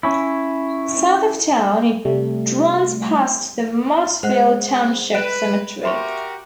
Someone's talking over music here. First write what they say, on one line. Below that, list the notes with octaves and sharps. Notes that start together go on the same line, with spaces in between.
South of town, it runs past the Mottville Township Cemetery.
C#4 E4
C3 G3 A3
G#3 C5 F#5 F#6
B4 F#6 D7 E7
F#4 G4 A#4 E5 C6 C#6